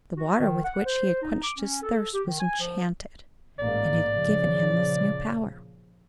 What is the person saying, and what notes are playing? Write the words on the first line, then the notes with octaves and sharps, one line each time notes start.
The water with which he had quenched his thirst was enchanted, and had given him this new power.
F#4
D#3
F#5
C5
D#4
D6
C#4
A4
G4
D#3
G#5
F3
A1 G#2 A#3 D5
A#2 C#3 F3